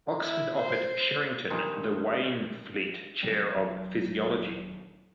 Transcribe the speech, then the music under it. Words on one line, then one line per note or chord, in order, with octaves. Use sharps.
Oxford offered Sherrington the Waynflete Chair of Physiology.
E4
C5
G2 A#2 D#3
C3 F#3 G3 C4
D#1 F#3